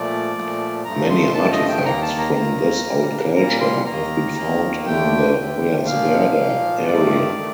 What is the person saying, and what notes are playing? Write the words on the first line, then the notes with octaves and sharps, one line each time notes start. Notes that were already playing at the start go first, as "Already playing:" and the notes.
Many artifacts from this old culture have been found in the Hoyerswerda area.
Already playing: A#2 F3 A3 D5
A#2 F3 A3
G2 F3 A3 A#5
C6
G2 F3 A3 A5
D#5
G5
D#2 D#3 A#3 A#5
A5
A#5
D#2 D#3 A#3 A#5
A#2 G3 A#3
A#2 G3 A#3 A#5
C6
D#2 D#3 A#3 A#5
D#2 D#3 A#3
D#2 D3 A3 G5
D#2 D3 A3
A#2 F3 A#3 F5
A#2 F3 A#3
G2 D#3 A3 D5
D#3 A3